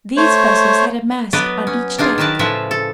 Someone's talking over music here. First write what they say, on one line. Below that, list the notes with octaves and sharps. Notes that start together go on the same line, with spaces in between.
These vessels had a mast on each deck.
A3 C5 C#5
F#3 B3 B4 D5 D#5
C#4
D4 D#4 F4 G#4
D#3 F#3 A#4 B4 A5
A2 C#3 F3 B4 E5
A4